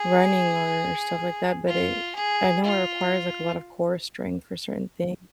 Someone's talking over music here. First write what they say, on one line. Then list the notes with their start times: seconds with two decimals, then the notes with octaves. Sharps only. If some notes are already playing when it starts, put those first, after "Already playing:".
running or stuff like that, but it I know it requires, like, a lot of core strength for certain things
Already playing: G#4
1.68 F4
2.15 G#4
2.64 F4